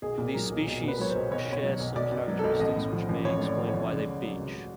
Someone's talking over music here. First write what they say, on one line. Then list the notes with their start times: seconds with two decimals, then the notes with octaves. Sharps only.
These species share some characteristics which may explain why they beach.
0.02 B1 G#4
0.18 A#2
0.34 F#3 A#4
0.51 B1
0.67 B1
0.83 A#2
0.88 B4
0.99 F#3 C#5
1.10 C5
1.15 B1
1.31 B1 C#5
1.48 B2 C#5
1.63 F#3
1.80 B1
1.95 B1 D5
2.12 B2
2.28 F#3
2.39 B1 A4
2.60 A1 D#5
2.76 A2
2.93 F3
3.09 A1
3.25 A1 C#5
3.41 A2
3.46 D5
3.57 F3
3.69 A1 C#5
3.85 C#5
3.90 C#2 D5
4.06 C#3
4.22 F#3
4.38 C#2